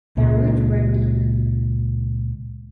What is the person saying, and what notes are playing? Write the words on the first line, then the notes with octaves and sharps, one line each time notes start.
Their roots run deep.
C#2 A#2 G#3